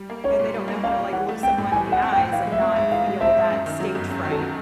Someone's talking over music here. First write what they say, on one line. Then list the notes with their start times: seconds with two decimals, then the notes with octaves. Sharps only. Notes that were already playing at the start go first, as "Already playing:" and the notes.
and they don't know how to, like, look someone in the eyes and not feel that stage fright
Already playing: G3
0.10 A#3
0.24 C#4 C#5
0.39 A#2
0.54 G3
0.68 A#3
0.84 C#4 F5
0.99 A#2
1.13 E3 F#5
1.29 A3
1.43 C4 G5
1.58 A2
1.72 E3 G#5
1.87 A3 F#5
2.02 C4
2.12 G5
2.17 A2
2.33 E3 F5
2.47 G#3
2.52 E5
2.62 C4
2.72 E5
2.76 G#2
2.92 E3 F5
3.06 G#3
3.21 C4 E5
3.36 G#2
3.50 F#2
3.66 D#3
3.80 F#3
3.95 G1
4.11 F#2
4.25 D#3
4.31 A4
4.40 F#3